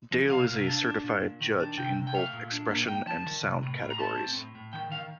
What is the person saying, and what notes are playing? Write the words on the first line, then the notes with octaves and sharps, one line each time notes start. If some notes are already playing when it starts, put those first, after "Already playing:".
Dale is a certified judge in both Expression and Sound Categories.
F3
C3 F5
C3
D4
D4
A#2
A#2
D#3
D4
C3 G5
C3
G5
A3 F5
A#2
D4
A#3
D#4 G5
F3 A5
D#3
C3
A2
A2
A#5
A3 A5
C4
A2
A2
D#3 G5
D#3 F5